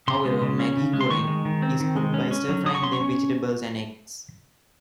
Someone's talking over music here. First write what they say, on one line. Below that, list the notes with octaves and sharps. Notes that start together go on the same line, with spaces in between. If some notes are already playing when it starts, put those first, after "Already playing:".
However, "Maggi goreng" is cooked by stir-frying them with vegetables and eggs.
C#3 C6
G#3
C#3
C#4
C#3
G#3
C6
D#3 C#6
G#3
D#3
C4
D#3
G#3
C#4
C#4
F#3
F#3 D#6
C#6
C#4 C6
C#6
C#4